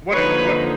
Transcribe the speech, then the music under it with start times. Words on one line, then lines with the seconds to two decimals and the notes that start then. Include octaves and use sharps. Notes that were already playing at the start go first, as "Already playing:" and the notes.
what it what
0.11 D3 F3 A#3 D#4 B4 C#5